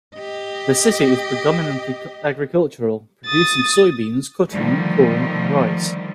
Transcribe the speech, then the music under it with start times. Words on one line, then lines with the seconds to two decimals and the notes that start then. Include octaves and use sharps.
The city is predominantly agricultural, producing soybeans, cotton, corn and rice.
0.15 G4 D#5
3.27 D#6 A6
4.50 D3 D#3 F3 G3 A3